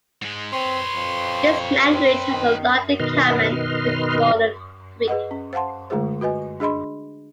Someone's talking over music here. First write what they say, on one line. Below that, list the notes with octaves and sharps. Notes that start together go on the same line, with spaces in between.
This language has a lot in common with modern Greek.
G#2 G#3
C4 B4 C#5 C6
F2
C4
D#3
B2 D#3 B4 D#5 C6 F6
G#4 B4 D#5 F#5
C#4
C5 F5 F#5 A5 C6
D3 G#3 A3 F4 G#4 C5
F#4 B4 D#5 G#5
D4 G#4 D#5 B5 C6